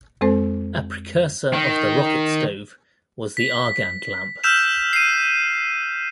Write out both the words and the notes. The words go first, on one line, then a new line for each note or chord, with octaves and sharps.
A precursor of the rocket stove was the Argand lamp.
F2 G#3 C4 A4 C5
D#3
B6
E6 F6 G6 B6 E7 F7
C7 D#7